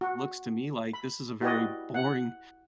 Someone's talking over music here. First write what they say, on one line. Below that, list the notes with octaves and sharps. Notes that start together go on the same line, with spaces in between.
looks to me, like, this is a very boring
F#4
B5
E4 F#4 G4 B4 D5 D#5
F#5